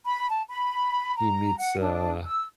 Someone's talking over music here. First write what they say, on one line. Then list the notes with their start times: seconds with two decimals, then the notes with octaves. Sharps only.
he meets, uh
0.05 B5
0.29 A5
0.48 B5
1.16 A#5
1.58 F#5
1.80 D4
2.25 E6